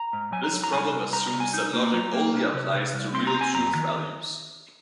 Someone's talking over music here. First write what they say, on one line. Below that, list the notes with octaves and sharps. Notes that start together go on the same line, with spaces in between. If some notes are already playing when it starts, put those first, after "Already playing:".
This problem assumes that logic only applies to real truth values.
Already playing: A#5
G#2
F#3 G#5
A#5
F#3
A#5
C2 G#5
C2
C2 A#5
A#5
C2
G#5
D#4
A#3
F#3 A#5
A#3
C2
C3
C3
C2
C4 C6
A#5
C4
G#5
F#2 A#5
D#3